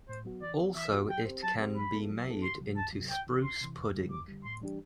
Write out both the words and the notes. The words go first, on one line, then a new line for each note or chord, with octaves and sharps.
Also it can be made into spruce pudding.
A2 C5
F#3 B3 F#4
E3 D5
B3 F#4
E3 E5
B3 F#4
F#3 G5
C4 G4 C5
F#3 A5
C4 G4 C5
F#3 B5
B3 E4 A4
F#3
B3 E4 A4
D2 C6
C3 F#3
D2 A5
C3 F#3
C2 G5
C3 E3
C2 C6
C3 E3
E2
D3 G3
E2 D6
D3 G3
A2 C6
E3 G3 D4 G4